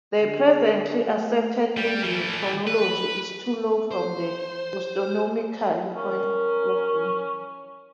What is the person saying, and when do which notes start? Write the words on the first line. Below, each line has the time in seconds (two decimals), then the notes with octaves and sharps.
The presently accepted middle chronology is too low from the astronomical point of view.
0.19 D3 G#4
1.07 A3
1.77 G3
2.04 E3 A3
2.67 B4
3.91 C5
5.95 C#4 A#4